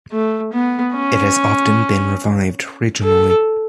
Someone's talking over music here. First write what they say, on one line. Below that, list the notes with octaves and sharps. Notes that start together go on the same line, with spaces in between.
It has often been revived regionally.
A3
B3
C#4
A4